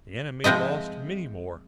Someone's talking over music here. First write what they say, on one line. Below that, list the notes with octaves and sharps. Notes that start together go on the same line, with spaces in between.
The enemy lost many more.
F3 G#3 C4 E4 D#5